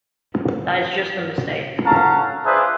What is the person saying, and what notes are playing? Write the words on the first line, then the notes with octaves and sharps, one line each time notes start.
That is just the mistake.
C#4 F#4 A4 F5 A5 A#5
D4 F4 G#4 B4 C5 E5